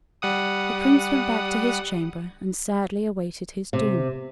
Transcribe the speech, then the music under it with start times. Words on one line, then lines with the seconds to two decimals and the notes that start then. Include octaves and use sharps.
The Prince went back to his chamber and sadly awaited his doom.
0.22 G3 F#5 D#6
3.73 C3